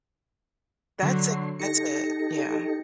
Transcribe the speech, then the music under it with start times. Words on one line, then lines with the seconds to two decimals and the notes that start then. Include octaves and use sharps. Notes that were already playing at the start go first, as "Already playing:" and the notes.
that's it, that's it, yeah.
1.03 D3 F#3 C6
1.60 D#4 G4 A4 A#6 C#7